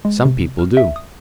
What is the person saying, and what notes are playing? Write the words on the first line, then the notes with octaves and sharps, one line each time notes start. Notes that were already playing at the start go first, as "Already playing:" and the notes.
Some people do.
G#3
C3
F6
E5
D#6